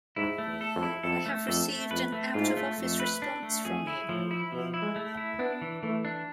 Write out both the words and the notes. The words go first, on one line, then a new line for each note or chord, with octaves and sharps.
I have received an Out of Office response from you.
G#2 E4
A3
E2
A4
F2
E4
F2 A4
A3
F2 A4
A3
F2 B4
A3
G#2 F4
A3
F2 A3
B4
D4
A3
F2 G#4
E4
A2 F3
E4
B2 F3
E4
G#3
A3
E4
B3 D4
E3
E3 A3
D4